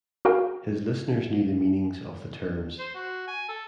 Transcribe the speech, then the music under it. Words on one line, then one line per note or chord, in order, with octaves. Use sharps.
His listeners knew the meanings of the terms.
F#4 G#4 A#4 B4 F5 G5
C5
F#4
G#5
A4